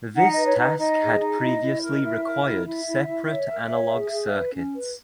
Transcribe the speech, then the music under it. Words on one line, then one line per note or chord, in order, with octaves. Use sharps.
This task had previously required separate analog circuits.
D#4 F#5
D#5
B4
C#5
D#4
D#5
D#4 D#5
G#4
D#4
E4 D#5
E4
A#4
D#5
E4 E5
A#4
E4
E4 E5
E4
E4
C#5
A#4
C#5
G#4
G#4
B4
C#4
B4